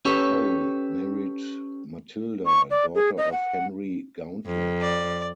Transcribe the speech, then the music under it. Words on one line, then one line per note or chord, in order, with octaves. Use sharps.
Pole married Matilda, daughter of Henry Gauntlett.
C#4 G4 A4 B4 C#5
C#6
D5
G#4
D#5
F#5
F2
D5